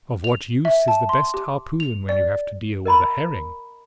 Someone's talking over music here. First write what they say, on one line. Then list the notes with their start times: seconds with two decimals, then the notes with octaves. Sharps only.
Of what use is the best harpoon when you have to deal with a herring?
0.24 F7
0.65 E5
0.88 A5
1.09 C6
1.34 G4
1.80 F7
2.09 D5
2.85 A#4 D#5 A#5 B5